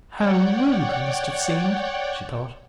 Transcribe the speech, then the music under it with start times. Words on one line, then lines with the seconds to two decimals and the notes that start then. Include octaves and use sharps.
"How rude we must have seemed!" she thought.
0.15 C#5 D5 F#5 G5